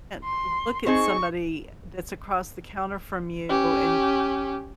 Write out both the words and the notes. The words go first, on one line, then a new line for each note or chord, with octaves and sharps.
can't look at somebody that's across the counter from you, and
C6
C4 D#4 G#4 C#6
C#4 G4